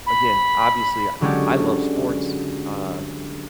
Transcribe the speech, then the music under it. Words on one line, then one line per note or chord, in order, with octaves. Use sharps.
again, obviously, I love sports, uh,
B5
D3 F#3 G#3 C#4 D4 G4